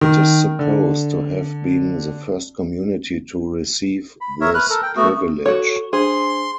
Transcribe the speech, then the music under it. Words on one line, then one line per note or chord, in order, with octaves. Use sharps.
It is supposed to have been the first community to receive this privilege.
D#3
D3
B5
A#4 C#5 E5
B4 F6 F#6
A4 A#4
G5
A3 B3 F#4
F#4 A4 C#5
D4 G#4 C5 C6